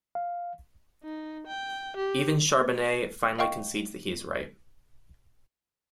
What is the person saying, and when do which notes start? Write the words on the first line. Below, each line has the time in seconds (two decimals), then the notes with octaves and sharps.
Even Charbonnet finally concedes that he is right.
0.15 F5
1.03 D#4
1.47 G5
1.97 G4
3.39 D#5 F5 G5 C#6